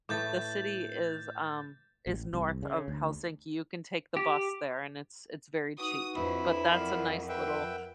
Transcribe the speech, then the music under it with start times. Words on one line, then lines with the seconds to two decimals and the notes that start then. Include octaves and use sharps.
the city is, um, is north of Helsinki, you can take the bus there and it's it's very cheap, but that's a nice little
0.09 A2 E3 A3 D6 G6 A6
2.07 A1
2.33 C2
2.63 C#3
2.88 D2
4.17 G4
5.78 D#4 F#4 B4 D#6
6.16 F2 D4 E4 B4 C5
6.71 A#4 D5 F5 F#5
7.29 B4 E5 G5